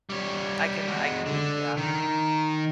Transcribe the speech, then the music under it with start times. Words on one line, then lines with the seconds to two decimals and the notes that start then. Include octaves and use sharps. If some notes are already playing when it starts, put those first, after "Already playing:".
I can I can Yeah.
0.10 G3 C#5
0.88 G#3 F#4
1.26 D3
1.78 D#3